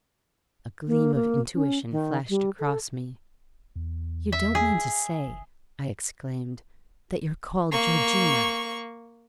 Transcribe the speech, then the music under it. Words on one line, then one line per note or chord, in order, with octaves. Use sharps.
A gleam of intuition flashed across me, 'You don't mean to say,' I exclaimed, 'that you're called Georgina?'
A#3
A#3
C#4
D#3
G3
A4
E2
E5
G#4
F1
A#3 C#6